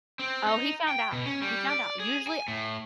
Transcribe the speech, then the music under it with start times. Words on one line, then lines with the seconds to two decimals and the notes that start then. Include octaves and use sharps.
oh, he found out, he found out. Usually uh,
0.19 C4
0.46 D#4
0.88 G5
1.12 B2
1.26 C#4
1.42 G3
1.69 D5
2.00 G#4
2.27 G#5
2.48 A2